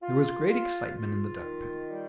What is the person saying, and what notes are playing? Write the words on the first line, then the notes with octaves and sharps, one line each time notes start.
There was great excitement in the duck pen.
F4
F4
F4
D#3
G3